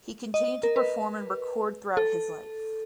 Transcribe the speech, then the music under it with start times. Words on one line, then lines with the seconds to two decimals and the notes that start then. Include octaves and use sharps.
He continued to perform and record throughout his life.
0.34 D#5
0.63 A#4
0.76 B4
1.97 A4